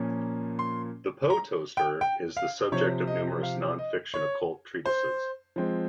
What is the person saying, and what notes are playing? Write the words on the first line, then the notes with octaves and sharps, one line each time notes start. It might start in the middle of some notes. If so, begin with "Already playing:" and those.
The Poe Toaster is the subject of numerous non-fiction occult treatises.
Already playing: A#2 F3 A#3 C#4
C6
A#5
G5
G5
F5
C3 F3 C4 C#5
D#5
F5
D#5
C#5
C5
F3 G#3 C4